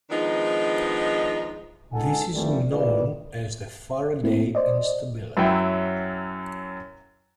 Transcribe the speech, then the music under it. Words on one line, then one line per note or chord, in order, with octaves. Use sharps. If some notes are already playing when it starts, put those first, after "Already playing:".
This is known as the Faraday instability.
D#3 F3 G#3 B3 D4 D#4
C#2 D#4 A4 F#5 G#5
F2 E3 G3 A3 A#3
A1 D#3 G#3 F4 B4 D5
A3 A#3 C4 E4
C5 D5 D#5
F#2 F#3 E4 G5